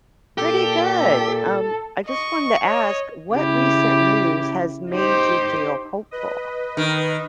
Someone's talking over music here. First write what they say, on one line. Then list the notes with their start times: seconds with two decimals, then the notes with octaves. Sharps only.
Pretty good. Um, I just wanted to ask what recent news has made you feel hopeful?
0.38 A#2 G4 A4
2.06 D#5 C#6
2.64 C#5 D#5
3.34 C#3 E4 G4
4.92 D#4 G4 C5
6.11 B4 D#5
6.77 D#3